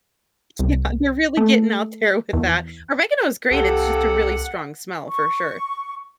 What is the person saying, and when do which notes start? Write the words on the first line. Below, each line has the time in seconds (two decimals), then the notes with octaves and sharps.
Yeah, you're really getting out there with that, oregano is great, it's just a really strong smell for sure.
0.59 C2
1.37 A3
2.33 E2
3.51 C2 C3 A#3 G4 A4 F#5 G7
5.09 C#6